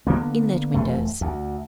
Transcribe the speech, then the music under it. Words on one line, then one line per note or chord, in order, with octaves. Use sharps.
Inlet windows.
D3 F#3 A#3 B3
E1 F2 G#3 A3
D2